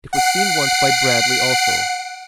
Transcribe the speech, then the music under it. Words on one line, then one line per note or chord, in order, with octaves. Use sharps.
It was seen once by Bradley also.
F#5 C7 D7